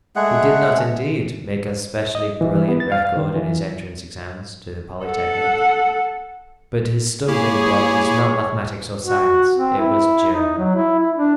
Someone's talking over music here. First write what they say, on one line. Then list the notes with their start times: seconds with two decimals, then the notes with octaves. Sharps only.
He did not, indeed, make a specially brilliant record in his entrance examinations to the Polytechnique; but his stumbling block was not mathematics or science, it was--German!
0.16 G#3 A3 G#4 F#5
2.15 D#5
2.41 E3
2.55 E3
2.68 B3
2.80 A6
2.92 F5
3.05 F5
3.17 D#3
3.36 E3
5.04 A4 F#5
7.28 A#3 E4 G4 G#4 C#5
9.05 F#4
9.57 C4
9.78 E4
10.33 D#4
10.58 F#3
10.76 E4
11.00 E4
11.16 D4